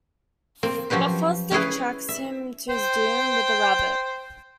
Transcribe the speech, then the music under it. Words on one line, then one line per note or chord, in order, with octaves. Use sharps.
But Fosdick tracks him to his doom-with a rabbit.
A#3 C4
F3 F#3 C#4 G4 B4
C#4 E4 G#4 B4
E5
C5 G5